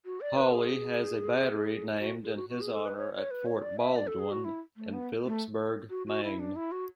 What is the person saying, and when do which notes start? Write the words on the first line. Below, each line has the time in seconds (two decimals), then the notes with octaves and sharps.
Hawley has a battery named in his honor at Fort Baldwin, in Phippsburg, Maine.
0.05 F#4
0.21 D5
0.37 B4
0.54 G#4
2.00 F#4
2.25 G#4
2.36 F#4
2.49 F#4
2.61 G#4
2.73 A4
2.85 B4
2.98 C#5
3.14 C#5
3.31 B4
3.46 C#5
3.62 D5
3.79 E5
3.96 D5
4.07 A4
4.19 G#4
4.31 F#4
4.45 E4
4.77 A3
4.93 B3
5.26 A3
5.90 F#4
6.07 F#4
6.24 E4
6.39 D4
6.56 E4
6.72 F#4